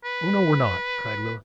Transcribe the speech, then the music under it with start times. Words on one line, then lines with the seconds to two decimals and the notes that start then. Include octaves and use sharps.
"Oh no, we're not!" cried Willis.
0.05 B4